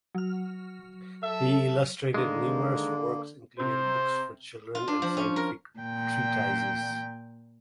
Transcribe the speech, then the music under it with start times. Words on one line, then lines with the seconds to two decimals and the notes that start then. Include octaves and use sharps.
He illustrated numerous works including books for children and scientific treatises.
0.15 F#3 F6
1.23 A4 E5
2.14 D3 D#3 G#3 A#3
3.60 C3 C5
4.75 F4
4.88 D4
5.02 F3
5.17 C#4
5.36 A#4
5.79 A#2 G5